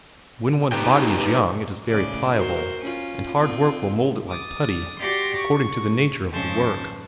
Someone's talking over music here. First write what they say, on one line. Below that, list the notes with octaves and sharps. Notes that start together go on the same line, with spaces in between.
When one's body is young, it is very pliable, and hard work will mould it like putty according to the nature of the work.
B2 A3 D#4 G4 B4 G5
A2 C#3 D5
F#4 A#4 C5
C#4 F4
C4 F4
D6 D#6 A6
F#4 G4 D5 C6 A6 A#6
C#6
F2 G#2 C#3 C5 A5 C#6